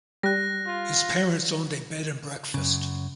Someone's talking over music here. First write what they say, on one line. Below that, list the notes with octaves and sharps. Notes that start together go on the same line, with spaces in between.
His parents owned a bed-and-breakfast.
G3 F#6 A#6
F4
F#2 C#3